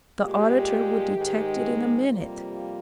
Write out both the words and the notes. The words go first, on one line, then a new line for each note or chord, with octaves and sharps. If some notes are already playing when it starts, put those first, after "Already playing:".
The auditor would detect it in a minute.
A#2 G#3 G4
G#2 D#3 G#3
F2 C3 G3 A#3 F4